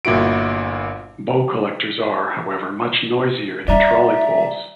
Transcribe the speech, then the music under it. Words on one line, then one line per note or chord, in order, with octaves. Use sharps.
Bow collectors are, however, much noisier than trolley poles.
G1 A#2 E4 F#4 D7
G3 D5 E5 A#5